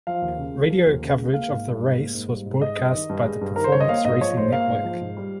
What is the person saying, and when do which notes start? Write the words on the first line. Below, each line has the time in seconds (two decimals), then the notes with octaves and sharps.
Radio coverage of the race was broadcast by the Performance Racing Network.
0.07 F3 F5
0.22 D#2
0.38 C#3
0.54 G#3
0.70 F3
0.86 D#2
1.02 C#3
1.18 G#3
1.34 A#3 F5
1.50 G#2
1.66 G3
1.82 G#2
1.98 A#3
2.14 G#2
2.29 G3
2.46 G#2
2.62 G#3 D#5
2.78 G2
2.94 D#3
3.09 G2
3.25 G#3
3.41 G2
3.56 D#3 A#4
3.64 C5
3.72 G2 C#5
3.80 D#5
3.89 A#3 F5
4.05 G#2 D#5
4.21 F3 C#5
4.37 G#2 C5
4.52 A#3 F5
4.69 G#2
4.84 F3
5.01 G#2
5.17 G3